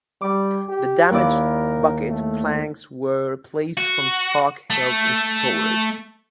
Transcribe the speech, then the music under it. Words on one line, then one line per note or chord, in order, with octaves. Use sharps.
The damaged bucket planks were replaced from stock held in storage.
G3 D6
G4
D#2 E4 A#4 D5
A3
F#4
A3